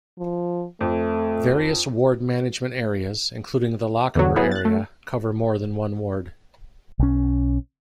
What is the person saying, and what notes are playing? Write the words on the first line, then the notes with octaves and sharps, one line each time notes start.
Various ward management areas, including the Lochaber area, cover more than one ward.
F3
F2 A3
E2 D3 F#3
F#3 B3 E4 G#4
F#6 A6
A3
B1 C#4